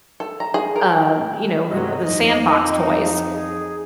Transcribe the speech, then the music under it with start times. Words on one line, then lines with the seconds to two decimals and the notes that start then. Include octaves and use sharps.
um, you know, who the sandbox toys,
0.20 A4
0.40 A#5
0.54 G#4
0.76 A#4
1.70 G2 C3 F#3 D#5
2.04 F2 D#4
3.32 G#4